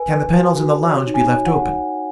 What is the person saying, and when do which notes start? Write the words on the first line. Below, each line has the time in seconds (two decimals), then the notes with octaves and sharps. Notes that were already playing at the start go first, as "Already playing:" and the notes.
"Can the panels in the lounge be left open?"
Already playing: B4 G#5
0.12 B4
0.36 F#4
0.60 F#4
0.83 C#5
1.07 D#4
1.14 G#5
1.30 C#5
1.46 F#5